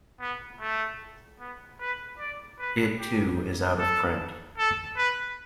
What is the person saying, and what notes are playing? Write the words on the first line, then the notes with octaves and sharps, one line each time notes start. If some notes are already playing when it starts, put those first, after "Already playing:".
It too is out of print.
B3
A3
B3
B4
D5
B4
G4
A4
A4
B4